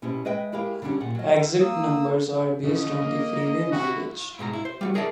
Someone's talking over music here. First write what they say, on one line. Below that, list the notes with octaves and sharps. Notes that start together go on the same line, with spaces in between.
Exit numbers are based on the freeway mileage.
B2 C#4 E4 G4 C5
G#3 B4 D#5 E5 G5
G#3 E4 G4 A#4 F5
D3 G3 C#4 D4 G4
A#2 F#5
F#3 D#5
A#3 D#6 E6
D3 C#4 D#5
A#3
D#4 F#4 E5
G#2 B2 G4 A#5
E4 F5
C5
G3 F4 F#4
G#4 A#4 D5 E5 A5